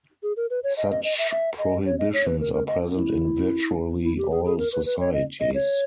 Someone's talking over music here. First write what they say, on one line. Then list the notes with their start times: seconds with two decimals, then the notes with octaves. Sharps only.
Such prohibitions are present in virtually all societies.
0.23 G#4
0.37 A#4
0.50 B4
0.64 C#5
0.77 D#5
0.91 D#5
1.04 D#5
1.18 E5
1.31 E5
1.58 D#5
1.86 C#5
1.99 D#5
2.14 C#5
2.26 B4
2.41 A#4
2.54 A#4
2.67 D#5
2.95 E4
4.04 E4
4.18 G4
4.31 G#4
4.45 G#4
4.59 A#4
4.73 B4
4.86 B4
5.00 C#5
5.13 D#5
5.40 D#5
5.55 C#5